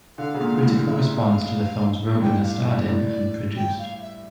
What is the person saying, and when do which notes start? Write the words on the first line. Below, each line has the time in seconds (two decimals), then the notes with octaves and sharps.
Critical response to the films Rogen has starred in and produced.
0.18 D3 F5
0.34 C#3
0.41 A#2
0.63 A2
0.86 F5
0.91 E5
1.20 G5
1.23 F5
2.15 A2
2.21 G2 G5
2.43 F5
2.67 E5
2.88 A2 D5
3.56 G5
3.79 F5
4.01 E5